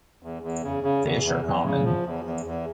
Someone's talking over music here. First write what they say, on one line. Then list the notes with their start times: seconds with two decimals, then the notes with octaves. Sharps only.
Fish are common.
0.23 E2
0.42 E2
0.63 C#3
0.83 C#3
1.04 E2
1.24 E2
1.44 E2
1.64 C#3
1.85 F3
2.05 E2
2.25 E2
2.45 E2